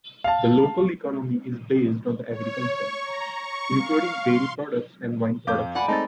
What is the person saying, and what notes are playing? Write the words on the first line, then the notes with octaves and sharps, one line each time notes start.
The local economy is based on agriculture, including dairy products and wine production.
F5 A5
C#5
C#6
A#5
C#6
F5
C6
F2 F5 D6 G6
D5 F#5 G#5 B5
G#3 A3 C4 D#4 A5 A6